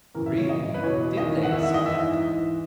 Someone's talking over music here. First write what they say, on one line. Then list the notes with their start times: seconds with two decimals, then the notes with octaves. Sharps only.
"Really, did they?" said D'Artagnan.
0.15 E2 C#3 E3 A#4
0.26 E5
0.37 C#5
0.49 F#2 C#3 E3 D#5
0.74 B4
0.83 E2 B2 C#5
1.17 E2 D#3 D#5
1.43 F#5
1.51 E2 D#3 E5
1.63 E5
1.74 D#5
1.86 G#2 E3 E5
2.19 G#2 E3